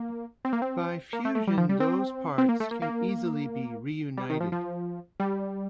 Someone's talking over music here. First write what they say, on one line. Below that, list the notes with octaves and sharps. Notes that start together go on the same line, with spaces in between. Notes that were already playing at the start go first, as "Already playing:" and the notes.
By fusion those parts can easily be reunited.
Already playing: A#3
C4
A#3
C4
A#3
A3
A3
G3
F3
G3
C4
C4
A#3
A3
A#3
A#3
G3
D#3
F3
F3
G3